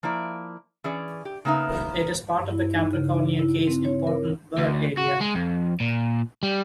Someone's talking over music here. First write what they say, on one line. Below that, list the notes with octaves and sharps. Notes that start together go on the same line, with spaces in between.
It is part of the Capricornia Cays Important Bird Area.
F3 A#3 E4 D5
E3 C#4 G#4 D5
G4
C#3 A#3 B3 D#4 E5
G2
E4
D#4
C#3
D#4
E4
C4
C#5
A#4
D2
F#4
G#3
F2
A#2
G3